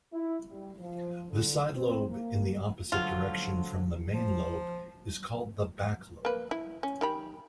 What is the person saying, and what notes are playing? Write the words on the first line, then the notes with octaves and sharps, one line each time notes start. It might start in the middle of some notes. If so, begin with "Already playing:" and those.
The sidelobe in the opposite direction from the main lobe is called the "backlobe".
E4
G3
F3
D3
C4
A#3
D3 F3 F#3 F4
F3
A#3 B4
E4
C#4
D#3 G4 B5